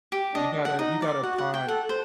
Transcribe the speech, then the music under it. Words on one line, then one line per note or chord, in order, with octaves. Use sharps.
You gotta you gotta apply,
G4
D4 D#5
F#5
D#4 D#5
D5
F#4 F#5
F#5
G5
A4 F#5
C5